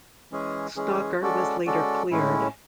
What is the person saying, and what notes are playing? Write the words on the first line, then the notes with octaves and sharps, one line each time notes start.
Stalker was later cleared.
E3 G#3 C#4 G#4
E3 G#3 C#4 G#4
G#3 C#4 F#4 A4 D5
G#3 C#4 F#4 A4 D5
A2 G#3 C#4 E4